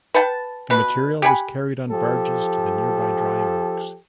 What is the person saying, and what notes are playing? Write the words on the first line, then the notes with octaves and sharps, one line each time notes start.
The material was carried on barges to the nearby drying works.
B4 F#5 G5 A5
B2 B4
G4 F#5 G#5 B5
F3 G4 A4